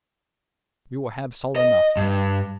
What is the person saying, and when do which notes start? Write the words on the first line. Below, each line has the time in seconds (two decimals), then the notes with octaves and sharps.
"We will have salt enough."
1.56 D#5
1.97 G2